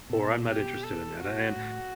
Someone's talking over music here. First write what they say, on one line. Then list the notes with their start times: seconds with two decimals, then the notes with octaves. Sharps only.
or I'm not interested in that, a and
0.10 B2 A4
0.47 G4
0.83 A4
1.20 F#4
1.56 A2